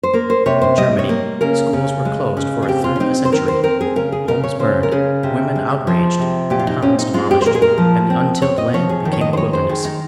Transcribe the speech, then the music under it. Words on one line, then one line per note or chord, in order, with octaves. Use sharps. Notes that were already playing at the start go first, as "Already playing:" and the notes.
In Germany schools were closed for a third of a century, homes burned, women outraged, towns demolished, and the untilled land became a wilderness.
C5
A#3 A#4
C5
C3 C#5
C5
G3 D#5
C#5
A#3
C#3 A#4
C#3
G#3
C#3
G#4
C4 G4
F4
C#4
C4 D#4
C5
D#3 A#4
C5
C4 A#4
G#4
C#3 A#4
G#4
C#3 A#4
C#5
C#3 C5
A#4
C#3 G#4
C3
G#3
F3
C3
A#2 G4
F4
D#4
C4 C#4
D#4
G#3 F4
G4
C5
A#2 A#4
G#4
A#4
F3
C4
C4 C#5
D#5
F3 C#5
G#4
D#3
C#5
D#5
C5
G#3 C#5
C5
D#3 G#4
D#4